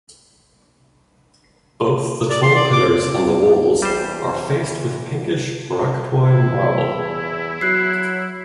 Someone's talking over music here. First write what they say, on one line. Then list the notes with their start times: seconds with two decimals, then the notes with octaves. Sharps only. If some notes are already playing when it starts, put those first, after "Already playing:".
Both the tall pillars and walls are faced with pinkish Oraktuoy marble.
2.30 D5
2.43 C6
2.56 D5
2.73 D6
3.82 E2 G3 C5
6.24 E2 E4
7.61 F#3 F#4 F#6 C7